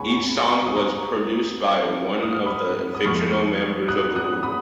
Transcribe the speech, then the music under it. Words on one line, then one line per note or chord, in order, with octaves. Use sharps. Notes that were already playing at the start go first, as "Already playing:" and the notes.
Each song was produced by one of the fictional members of the group.
Already playing: C#2 B2 G#3 C#4 G#5 B5 C#6
C#6
D#6
A#5 C#6
D#6
F6
B5 D#6
D#6
F2 F3 G#3 B3 C#6 F6
D#6 F#6
D#6 F#6
B5 D#6